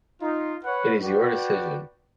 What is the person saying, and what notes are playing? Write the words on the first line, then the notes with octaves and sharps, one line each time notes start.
It is your decision.
D#4 F4
B4 C#5 F#5
F#4 B4 D5 G5